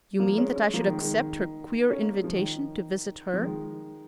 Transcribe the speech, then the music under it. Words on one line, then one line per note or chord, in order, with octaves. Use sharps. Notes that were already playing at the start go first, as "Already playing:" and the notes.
"You mean that I should accept her queer invitation to visit her?"
F3 A#3
G#3 C#4
G#3 C#4
F3 A#3
D#3 G#3
D#3 G#3
D#3
C#4
A#3
G#3
F3
D#3
F3
D#3 G#3